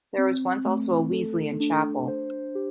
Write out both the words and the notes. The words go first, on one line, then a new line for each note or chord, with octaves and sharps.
There was once also a Wesleyan chapel.
C4
A3
A4
D4
C5
G4